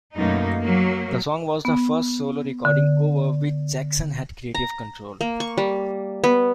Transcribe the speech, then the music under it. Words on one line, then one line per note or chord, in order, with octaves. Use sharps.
The song was the first solo recording over which Jackson had creative control.
F#2 B2 A3 A#3 D#4
F#3 A#3
B3
D3
A#5
A#3
C#6
G3
B3